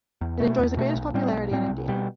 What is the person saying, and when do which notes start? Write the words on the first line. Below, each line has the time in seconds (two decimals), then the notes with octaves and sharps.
It enjoys the greatest popularity in India.
0.21 E2
0.40 B2 A3
0.59 E2
0.77 B2 A3
0.96 B1
1.14 A2 G3 C4
1.33 B1
1.51 A2 G3 C4
1.70 C2
1.88 B2 G3